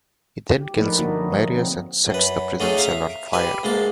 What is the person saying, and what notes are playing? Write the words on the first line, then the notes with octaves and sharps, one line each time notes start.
He then kills Marius and sets the prison cell on fire.
G4
F3 A3 A#3 D#4 B4 D5
D3 F#3 A#3 D#4 F#4
F3 C4
F#2 B4
D3 A3 C#4 D#4 G#4
E5 F5 A#5
G4 B4 G#5
D2 G#3 A#3 A5